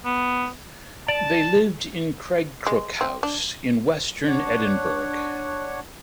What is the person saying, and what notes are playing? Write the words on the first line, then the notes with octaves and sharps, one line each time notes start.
They lived in Craigcrook House in western Edinburgh.
B3
D5 A5
G#3
C4
D4
D4 C#5 F#5